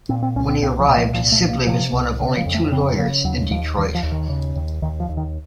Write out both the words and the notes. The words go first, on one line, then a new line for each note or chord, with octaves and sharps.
When he arrived, Sibley was one of only two lawyers in Detroit.
A#2 C4
C4
C2 C#4
C4
C2 C4
F3
A#2
F3
C2 F3
A3
C2
A#3
C3 F3
C2
C#3
F3
F2
A3
C#3 C4
C#3 A#3
D#2 F#3
D#2 F3
D#2 D#3
F3
D#2
D#3
C#3
D#2
D#2 D#3
F3
D#2
D#3